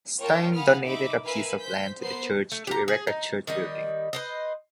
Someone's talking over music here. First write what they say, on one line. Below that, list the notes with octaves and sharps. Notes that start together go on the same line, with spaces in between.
Steyn donated a piece of land to the church to erect a church building.
F4 A#4 C#5 G5 A5 C#6
F5 F#5 G#5 B5 D#6 F6
D#4 E5 B5 D6
A#4 B4 E5 F5 G#5 A#5
C5 G6 B6
B3 A#4 C5 C6 C7
A3
G4 A#5
G#4
D#4
D#3 G3 D#5
B4 C5 D#5